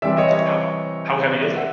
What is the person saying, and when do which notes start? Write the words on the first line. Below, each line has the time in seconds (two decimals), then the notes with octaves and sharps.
How how heavy is it?
0.02 C3 E3 G3 C4 D5 E5
0.17 C#5 D#5
0.33 C#5 D#5
1.41 D5 E5
1.57 E5 F#5